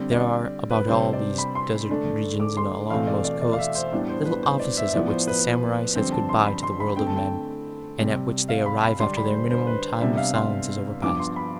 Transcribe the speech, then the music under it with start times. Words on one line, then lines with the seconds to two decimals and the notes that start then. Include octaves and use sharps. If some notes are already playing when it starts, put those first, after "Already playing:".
There are, about all these desert regions and along most coasts, little offices at which the samurai says good-bye to the world of men, and at which they arrive after their minimum time of silence is overpast.
Already playing: D3 G3 C4
0.11 D5
0.71 B4
0.88 C3 G3 D4 C5
1.13 D5
1.38 B5
1.55 C6
1.88 D3 A3 D4
2.40 D6
2.57 C6
2.90 E2 B2 A3 C4 F5
3.07 D5
3.24 D5
3.41 D5
3.53 F5
3.59 E5
3.75 C5
3.92 A2 G3 B3 D4
4.09 C5
4.25 B4
4.43 C5
4.59 D5
4.77 E5
4.88 E5
4.93 A2 F3 B3 D5
5.10 C5
5.27 B4
5.95 F2 D3 G3 C4 C5
6.12 A5
6.29 C6
6.46 B5
6.63 C6
6.80 B5
6.96 D3 A3 C4 G5
7.07 A5
7.17 G5
7.98 C3 G3 C4
8.49 F5
8.66 B5
8.83 B5
9.00 D3 G3 D4 C6
9.17 B5
9.34 C5
9.51 C5
9.67 B4
10.01 C3 G3 B3 D4 E5
10.17 F5
10.34 C6
11.02 G2 F3 B3 D6
11.19 C6
11.36 B5